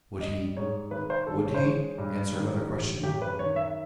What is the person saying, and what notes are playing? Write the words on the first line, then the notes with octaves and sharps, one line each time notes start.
Would he--would he?--answer another question?...
G3 D#5
G#2 C#5
D#3 B4
C5
G#1 A4
C#5
C5
G#3 C#5
G2
D#3
A1
F#2 G4
B4
D#3 C#5
E5